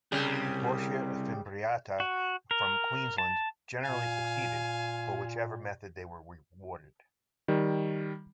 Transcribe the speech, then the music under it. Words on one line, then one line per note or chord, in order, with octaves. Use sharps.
"Portia fimbriata" from Queensland generally succeeded, for whichever method they were rewarded.
C2 C#3 G3
F#4
A#4
A5
A#2 F5 G#5
D#3 G3